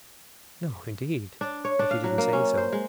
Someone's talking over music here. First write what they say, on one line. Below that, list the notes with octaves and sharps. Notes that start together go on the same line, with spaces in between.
"No, indeed, if you didn't say so."
D4
C#5
D4
F5
F#3
A#3
C#4
C5
G#3